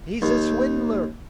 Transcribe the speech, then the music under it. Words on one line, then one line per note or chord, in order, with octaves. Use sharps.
"He's a swindler!"
D#2